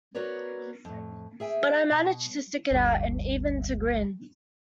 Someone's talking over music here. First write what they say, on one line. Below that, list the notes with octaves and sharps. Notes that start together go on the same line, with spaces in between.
But I managed to stick it out and even to grin.
B3 F#4 A#4 B4 C#5 D5
F2 A2
G#4 E5 G5 G#5
B2
G1 D2 G2